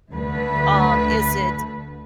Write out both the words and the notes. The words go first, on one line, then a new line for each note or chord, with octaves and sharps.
Um, is it
D2 A3 B4